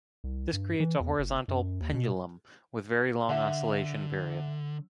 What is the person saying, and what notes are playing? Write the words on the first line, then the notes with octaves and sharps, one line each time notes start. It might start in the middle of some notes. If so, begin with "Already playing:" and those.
This creates a horizontal "pendulum" with very long oscillation period.
C2
G2
E3
E2
F#1
F#2
D#2
B2
D3 E5 F#5